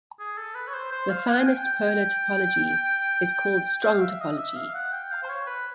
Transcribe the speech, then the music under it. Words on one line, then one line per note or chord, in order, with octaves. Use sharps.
The finest polar topology is called strong topology.
G#4
A4
B4
C#5
C5
C5
F5
F#5
G#5
G5
G5
F5
E5
D#5
E5
F5
F#5
G5
F5
C5
C#5
B4